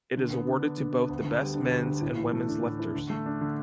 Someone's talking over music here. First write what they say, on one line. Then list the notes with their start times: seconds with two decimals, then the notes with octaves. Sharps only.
It is awarded to both the best men's and women's lifters.
0.17 D3
0.32 B3
0.47 D4
0.63 D3
0.78 D3
0.94 B3
1.09 D2
1.24 D3
1.40 G3
1.55 D4
1.71 D2
1.86 D3
2.01 A2
2.17 E3
2.33 A3
2.48 D4
2.64 A2
2.79 E3
2.95 D3
3.10 A3
3.26 D4
3.41 D3